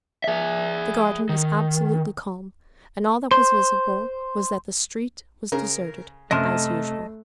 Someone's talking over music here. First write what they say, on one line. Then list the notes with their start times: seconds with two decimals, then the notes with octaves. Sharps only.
The garden was absolutely calm, and all that was visible was that the street was deserted as usual.
0.24 G#4 E5
1.29 D#3
3.31 C5
5.52 C#3 A#4
6.31 F#2 C3 A3 D#5 A5 F6